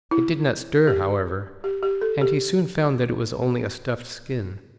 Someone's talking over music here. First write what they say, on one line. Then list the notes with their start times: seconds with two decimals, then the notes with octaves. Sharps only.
It did not stir, however, and he soon found that it was only a stuffed skin.
0.11 E4
0.87 G4
1.64 G4
1.83 G4
2.01 A4
2.21 G4